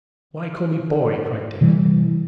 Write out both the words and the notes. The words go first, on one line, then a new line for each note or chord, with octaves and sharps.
"Why call me 'boy'?" cried Dick.
C3 E3 G3